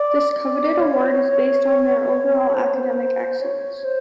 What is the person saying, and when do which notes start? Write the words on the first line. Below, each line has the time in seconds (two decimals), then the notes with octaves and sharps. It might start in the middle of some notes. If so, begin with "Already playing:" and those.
This coveted award is based on their overall academic excellence.
Already playing: D5
0.36 D5
0.80 C#5
2.54 C5
2.64 C#5
2.75 C5
3.41 C#5
3.84 C5